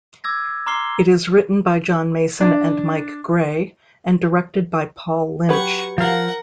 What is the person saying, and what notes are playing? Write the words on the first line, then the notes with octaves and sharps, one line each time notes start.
It is written by John Mason and Mike Gray, and directed by Paul Lynch.
D6 E6 G#6 A#6
A#5 C6 D6 F6 C7 G7
D4
F#3 G4 B4 F#5 C#6
F3 A#4 F5 F#5